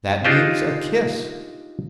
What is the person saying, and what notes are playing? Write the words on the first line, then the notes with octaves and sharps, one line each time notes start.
"That means a kiss!"
D4 D#4 F4 G4 G#4 C5